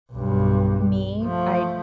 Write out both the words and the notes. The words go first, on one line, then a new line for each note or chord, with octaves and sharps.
me, I'd
B1 G2
F3 A3